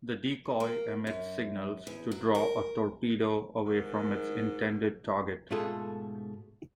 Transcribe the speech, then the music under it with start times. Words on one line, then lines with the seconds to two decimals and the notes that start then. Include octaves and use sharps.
The decoy emits signals to draw a torpedo away from its intended target.
0.60 A#3
1.07 F#2
1.87 E2
2.12 F#3
2.35 A#4
3.64 G#2 D#3
5.51 G#2 B2 A3 F4 G#4 A4